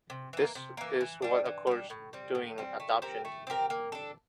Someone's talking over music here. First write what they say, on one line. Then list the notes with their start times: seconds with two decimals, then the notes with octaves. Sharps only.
This is what occurs during adoption.
0.10 C3
0.33 E3 A#3
0.55 C3
0.77 E3 A#3
1.01 E3
1.22 G3 D4
1.46 E3
1.67 G3 D4
1.90 A2
2.13 G3 C4
2.35 A2
2.58 G3 C4
2.80 A3
3.02 C4 G4 A#4
3.25 A3
3.47 C4 G4 A#4
3.70 A#3
3.92 D4 A4